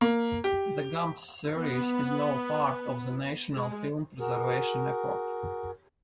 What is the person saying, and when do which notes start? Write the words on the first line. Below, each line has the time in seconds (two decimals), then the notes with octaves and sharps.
The Gumps series is now part of the National Film preservation effort.
0.01 A#3
0.44 G4
1.55 B3
3.53 G#3
4.20 F#4 G#4 A#4